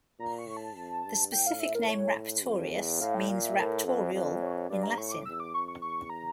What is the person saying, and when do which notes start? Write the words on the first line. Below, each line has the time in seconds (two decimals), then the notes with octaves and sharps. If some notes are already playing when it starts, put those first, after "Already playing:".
The specific name "raptorius" means "raptorial" in Latin.
0.19 A#2 A#5
0.39 C#6
0.47 A2
0.57 A5
0.76 F2
1.05 G2
1.32 A2 G5
1.47 F5
1.60 E5
1.75 A#4
1.88 C#5
2.44 F2
2.72 E2
3.00 A2 F5
3.15 G5
3.29 A#2 F5
3.44 E5
3.57 A2 A#4
3.85 F2 A4
4.13 F2
4.42 C#5
4.70 G2 D5
4.83 A#5
4.97 A2 C#6
5.12 D6
5.26 E2 E6
5.40 D6
5.54 F2 C#6
5.68 C#6
5.81 E2 C#6
6.10 A#5